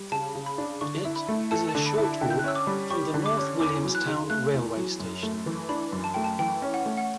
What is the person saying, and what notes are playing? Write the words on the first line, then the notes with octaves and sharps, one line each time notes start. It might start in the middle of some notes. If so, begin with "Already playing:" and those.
It is a short walk from the North Williamstown railway station.
Already playing: G3
C#3 A5
C#3
B5
D4
D3 C#6
E4
B5
A3
A4 A5
A5
D3
B5
E4
A5
D3 G5
G6
F#6
C#4 E6
D6
G3
G4 C#6
D3
D6
C#4
E2 D6
F#3
F#6
C#3
A3 F#6
E2
F#3
F#2
A3
E3
D4 B5
F#2
A5
A3 G5
A5
E3 G5
C#4
F#5
A3
F#5